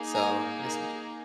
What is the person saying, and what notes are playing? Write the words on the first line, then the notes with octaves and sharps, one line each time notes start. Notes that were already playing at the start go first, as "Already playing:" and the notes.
So, yes, I'm doing work
Already playing: A#3 D#4 G#4
G#5 A#5